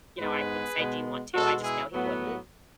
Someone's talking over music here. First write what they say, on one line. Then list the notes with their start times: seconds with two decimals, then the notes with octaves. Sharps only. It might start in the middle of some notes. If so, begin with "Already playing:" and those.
you know, I would say, "Do you want to?" I just know he wouldn't.
0.19 G#2 G#3 B3 G#4 B4
0.77 B2 G#3 B3
1.34 B2 G#3 B3 F#4 A4
1.63 E4 G#4
1.92 A2 F#3 B3